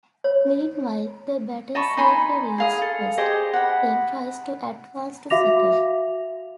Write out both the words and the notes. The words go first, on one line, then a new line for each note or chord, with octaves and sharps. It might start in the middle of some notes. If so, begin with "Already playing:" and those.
Meanwhile, the batter safely reaches first, then tries to advance to second.
C#5
D#5 A5 B5 C#6
D#4 G#5 B5 C6
G#4 F5 D#6
A4
G4 G#4 C5 D#5
F#5 B5
F#4 E5 F5 D6 A#6 F7